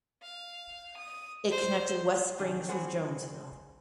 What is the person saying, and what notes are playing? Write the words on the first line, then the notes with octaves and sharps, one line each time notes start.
It connected West Springs with Jonesville.
F5
D#6
C5
C3 D#3 D4 G#4
G3 G#3 C4 G#4 C5 F#5